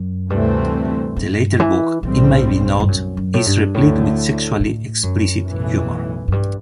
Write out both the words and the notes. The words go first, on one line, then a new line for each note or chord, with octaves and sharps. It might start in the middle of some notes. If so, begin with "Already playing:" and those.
The latter book, it may be noted, is replete with sexually-explicit humor.
Already playing: F#2
D2 G2 C3 E3 A3 C4
G2
E3
B1 A2 E3 G3 C4
G2
G2
G2
F#2
F#2
A2
G2
D2 A2 D3 A3
A2
F#2
B1 A2 E3
F#2
G2